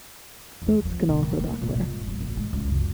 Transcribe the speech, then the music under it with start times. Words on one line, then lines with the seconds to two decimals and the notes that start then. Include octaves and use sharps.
Boats can also dock there.
0.62 E2
0.85 F3
1.09 B2
1.23 D#3
1.40 A#3
1.61 A#2
1.75 G#2
2.07 F#3
2.20 A1
2.37 G#3
2.53 C#2
2.69 F#2